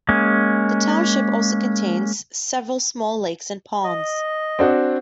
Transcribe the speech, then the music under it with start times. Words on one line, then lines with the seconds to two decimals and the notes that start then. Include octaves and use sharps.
The township also contains several small lakes and ponds.
0.09 G#3 A#3 C#4
3.84 D#5
4.59 C4 D4 F#4